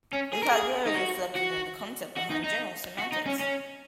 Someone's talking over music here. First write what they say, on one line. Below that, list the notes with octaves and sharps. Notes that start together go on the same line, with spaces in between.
This idea is also reflected in the concept behind general semantics.
C#4
G#4
A#4
G#4
D#4
F#4
F#4
F#4
D#4
D#4
F#4
D#4
C#4
C#4